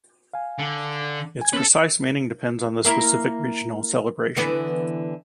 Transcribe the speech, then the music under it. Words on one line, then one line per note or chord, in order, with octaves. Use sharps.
Its precise meaning depends on the specific regional celebration.
F5 G#5
D3
G#5 G#6
A#3 B3 C#4 A4 B4
A#3 E4 A#4
D3 E3 B3